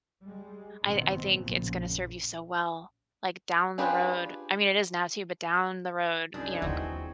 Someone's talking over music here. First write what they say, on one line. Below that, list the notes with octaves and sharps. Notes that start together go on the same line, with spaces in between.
I I think it's gonna serve you so well, like, down the road, I mean it is now, too, but down the road, you know, g
G3 G#3
F#1 G#2 B2 D#3 B3 C4
A#1 F#2 A#2 C#3 F3
D4 F4 G4 G#4 B4
C2 F#2 D4 D#4 G#4
D#2 E3 F#3 C4 F4